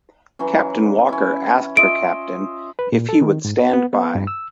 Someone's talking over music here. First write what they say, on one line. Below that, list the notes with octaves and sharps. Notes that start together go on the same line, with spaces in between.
Captain Walker asked her Captain if he would stand by.
E3 F#3 C#4
C#4 E4
F4 D#5 E5 D7
B4
A#2
A4
D#3
G#2
B3
B3
B3
G2
E6